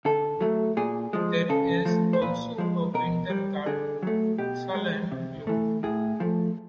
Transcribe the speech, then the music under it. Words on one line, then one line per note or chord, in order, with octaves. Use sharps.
There is also a winterguard, "Salem Blue".
D3 A4
F#3 A3
A#2 G#4
F3 G#3
C#3 A4
F3 A3
C5
A#2 B4
F3 G#3
B2 A#4
G3
D3 G#4
F#3 A3
B2 G4
G#3
C3
E3 A3
A2 G#4
F3 A3